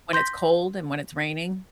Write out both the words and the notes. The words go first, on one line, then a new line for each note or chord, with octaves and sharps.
When it's cold and when it's raining?
C6 G6 A#6 B6